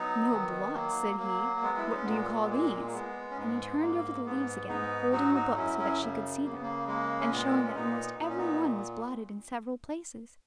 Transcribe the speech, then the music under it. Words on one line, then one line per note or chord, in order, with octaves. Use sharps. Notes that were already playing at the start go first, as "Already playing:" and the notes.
"No blots?" said he; "what do you call these?" and he turned over the leaves again, holding the book so that she could see them, and showing that almost every one was blotted in several places.
Already playing: F#3 B3 D#4
D#3 B3
F#3 A#3
F#3 A#3
A#3
G#3 B3
E4
D#4
C#4
A#2 B3
B3
G#3 A#3
A#3
G#3 B3
C#4
G#2 B3
G#2 A#3
G#2 B3
G#2 B3 D#4
F#3 D#4 F#4
D#4 F#4
F#2 C#4 E4
C#4 E4
C#3
C#3 A#3
B3
A#3
G#3 A#3
C#4
A#2 B3
C#4
A#2 B3 D#4
A#2 D#4
C#4
B3 D#4